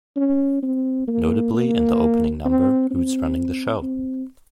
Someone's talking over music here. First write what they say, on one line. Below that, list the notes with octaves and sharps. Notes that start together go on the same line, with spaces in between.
Notably in the opening number Who's running the show?
C#4
C4
A#3
A#3
C4
C4
C4